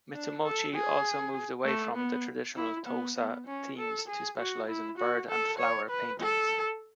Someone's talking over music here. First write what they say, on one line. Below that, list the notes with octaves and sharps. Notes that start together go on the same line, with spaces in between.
Mitsumochi also moved away from the traditional Tosa themes to specialize in bird-and-flower paintings.
D4
A4
G#4
A3
B3
E4
B3
B3
C#4
A4
G#4
F#4
E4
F#4
A4
C#5
B4
A4